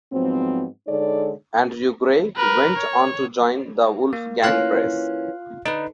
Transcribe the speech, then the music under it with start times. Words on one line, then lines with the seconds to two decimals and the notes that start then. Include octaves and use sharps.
Andrew Gray went on to join The Wolfgang Press.
0.12 G#2 F3 F#3 B3 C4
0.87 D3 G#3 D#4 A4 C#5 D5
2.36 A#4 B4
2.78 C#5
4.13 A#3
4.43 E3 A#3 C#4 F4 F5 F#6
5.65 D3 D#4 B4